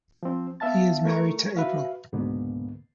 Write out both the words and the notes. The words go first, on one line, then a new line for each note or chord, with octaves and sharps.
He is married to Apryl.
F3 C4
B3 E5 F5 A5 A6
A3 A#4 C#6
F#4 B4 E5 F5
C#2 G#2 B2 D3 A#3 B3